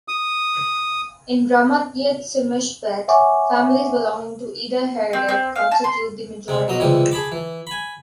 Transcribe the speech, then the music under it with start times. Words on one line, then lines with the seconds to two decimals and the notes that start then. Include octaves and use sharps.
In "Ramat Beit Shemesh Bet", families belonging to Eda Haredit constitute the majority.
0.08 D#6
3.08 C#5 E5 F#5 G#5 C#6 D6
5.13 C4
5.29 C4
5.56 F5
5.71 A5
5.84 C6
6.48 C3 G#3
6.68 B1 F#3 D#5
6.80 C#2 C3 E3 G3 D#6
7.12 G#4 A5 B5 D6
7.32 E3
7.67 G#5 B5